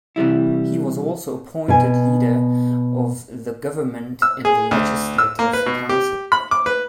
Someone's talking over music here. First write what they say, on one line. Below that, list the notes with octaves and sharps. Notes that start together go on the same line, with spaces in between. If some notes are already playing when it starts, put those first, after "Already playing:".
He was also appointed Leader of the Government in the Legislative Council.
C3 E3 G3 E4
B2 G#5
E6
G#4
D2
E6
A#3
B4
B2
G4
B5
D6
B4